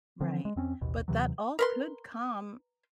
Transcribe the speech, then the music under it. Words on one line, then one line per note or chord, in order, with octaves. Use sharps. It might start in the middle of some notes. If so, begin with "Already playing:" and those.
Right, but that all could come,
D3 E3 F3 C4
G#3
F2 C4 C#4
A1 D#2 B2
D#2 C3 E3 F#3
A#4 B4 C6